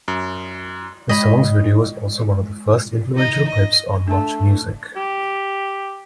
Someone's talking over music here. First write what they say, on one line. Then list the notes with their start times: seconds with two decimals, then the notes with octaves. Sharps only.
The song's video was also one of the first influential clips on MuchMusic.
0.08 F#2
1.09 G#3 D#5 B5
3.15 D#4 D#5
3.48 D#5
4.08 A3 D4 A5
4.96 G4